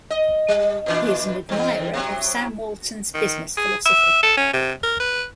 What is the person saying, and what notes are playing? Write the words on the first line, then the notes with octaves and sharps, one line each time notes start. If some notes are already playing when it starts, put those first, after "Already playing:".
He is an admirer of Sam Walton's business philosophy.
D#5
G3
A#2 E3 D4
E2 C4
C3 F#3
D#3
G#4
E5
A4
C#4
C3
A#4
B4